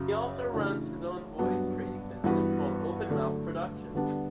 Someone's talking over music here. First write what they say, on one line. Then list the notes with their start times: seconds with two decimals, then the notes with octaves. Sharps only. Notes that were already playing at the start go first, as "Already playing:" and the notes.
He also runs his own voice training business called Open Mouth Productions.
Already playing: F#2 C#3 F#3
0.53 C#3 E3 A3 D4 F#4
1.38 G2 F#3 B3 D4
2.24 G2 E3 B3 F#4 B4
3.10 D3 F#3 A3 D4 A4
3.95 D3 G3 B3 D4